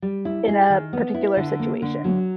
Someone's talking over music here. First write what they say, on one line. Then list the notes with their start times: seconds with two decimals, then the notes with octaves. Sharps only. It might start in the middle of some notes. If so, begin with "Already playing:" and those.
in a particular situation.
0.02 G3
0.25 E4
0.48 G#4
0.70 D#3
0.93 B3
1.14 E4
1.37 D3
1.59 A#3
1.82 D3
2.04 F#3